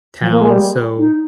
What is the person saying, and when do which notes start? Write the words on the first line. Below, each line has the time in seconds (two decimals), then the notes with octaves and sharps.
town, so,
0.21 F3
0.32 A#3
0.41 G#3
0.51 G3
0.98 D#4